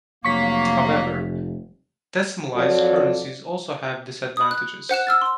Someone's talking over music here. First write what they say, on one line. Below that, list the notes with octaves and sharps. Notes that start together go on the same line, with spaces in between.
However, decimalised currencies also have disadvantages.
F1 F#3 A#3 F5 C#6 B6
F2 F#3 F4 A4 D5
B5 D#6
F#6
C5 F#5 F#6 E7
E6 F6 A6
C6